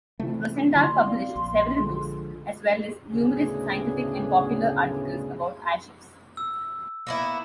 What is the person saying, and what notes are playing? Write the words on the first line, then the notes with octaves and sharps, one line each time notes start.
Rosendahl published several books, as well as numerous scientific and popular articles about airships.
C3 E3 A3
D3 G3 A3 E4 C6
C4 D5 F5 C6
A#1
D3 F3 G#3
D2 A2 C#3 B3 D4 G#4
E6
A#3 B3 E4